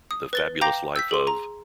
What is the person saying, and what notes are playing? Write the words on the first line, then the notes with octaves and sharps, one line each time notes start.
The Fabulous Life of...
D#6
B4 A6 G7
F5 G5 A#5 D6 G6 A#6
E6 G6 B6
G#4 C6
A#5